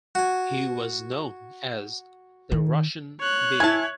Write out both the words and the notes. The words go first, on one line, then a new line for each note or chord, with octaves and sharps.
He was known as "The Russian Bear".
F#4 G#5
D#3
C#5 F#6
E4 G#5 A5 G#6